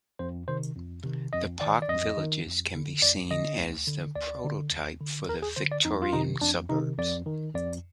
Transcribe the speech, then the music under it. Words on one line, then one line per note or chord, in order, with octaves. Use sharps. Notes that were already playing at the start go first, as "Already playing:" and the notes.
The park Villages can be seen as the prototype for the Victorian suburbs.
F2 C5
C3 D#3 C5
F2
C3 D#3
F2 D#5
D#3 D5
D5
F2 D#5
D#3
F2
D3
F2 D5
D3 D#5
D2
D3
D2 D5
D3
D#2
D3
D#2 A#4
G#4
D3 C5
D5
F2 D#4
F4
C3 D#3 D#4
F2 D4
C3 D#3 D#4
F2 D5
D#3
F2 D5